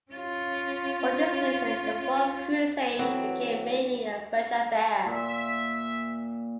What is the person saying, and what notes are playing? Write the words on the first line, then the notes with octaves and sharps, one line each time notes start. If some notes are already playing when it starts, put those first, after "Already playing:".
For this reason, the Fourth Crusade became mainly a French affair.
C#4 F4
E3 F#3 B3 C4 F#4 A4
A#2 E5